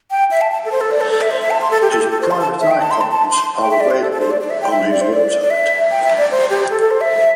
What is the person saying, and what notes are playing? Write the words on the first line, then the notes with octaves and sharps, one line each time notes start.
His Private Eye columns are available on his website.
G5
E5
A5
A5
A4
C5
A4
D5
A4
A4
E5
C5
E5
A5
C6
A4
G4
A4
G4
A4
C5
C6
A5
E5
G5
A5
C6
A5
A5
C6
G5
E5
D5
C5
A4
A4
C5
D5
D5
E5
G5
E5
D5
C5
D5
D5
E5
G5
E5
D5
C5
G4
A4
A4
C5
E5